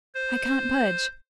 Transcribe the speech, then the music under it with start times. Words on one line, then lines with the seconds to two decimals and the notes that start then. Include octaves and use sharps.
"I can't budge."
0.15 C5